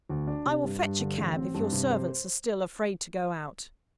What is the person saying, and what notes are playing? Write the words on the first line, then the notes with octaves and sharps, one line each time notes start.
I will fetch a cab, if your servants are still afraid to go out.'
D2
D4
C3
G2
G2
D3
A1
C4
G2
C3
C5